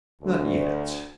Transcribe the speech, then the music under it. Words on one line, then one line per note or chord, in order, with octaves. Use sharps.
"Not yet."
D2